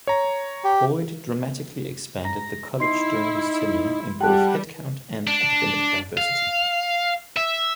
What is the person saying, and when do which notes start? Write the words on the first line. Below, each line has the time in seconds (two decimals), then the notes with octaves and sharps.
Boyd dramatically expanded the college during his tenure in both headcount and academic diversity.
0.07 C#5 A#5
0.64 G4
2.25 A#5
2.80 D#4 E4 C6 C7
4.20 G3 G4 F#5 G5 A5 F#6
5.27 D4
6.17 F5
7.37 E5